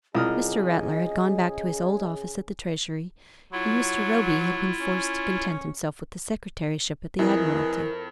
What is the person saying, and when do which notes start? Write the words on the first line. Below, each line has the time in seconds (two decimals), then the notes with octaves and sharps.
Mr. Rattler had gone back to his old office at the Treasury and Mr. Roby had been forced to content himself with the Secretaryship at the Admiralty.
0.15 C2 C#3 F4 G#4 D#5 D#6 F6
3.52 F#3 E4 F4
4.80 C#4
7.19 F2 E4 G#4 A#4 B4 D#5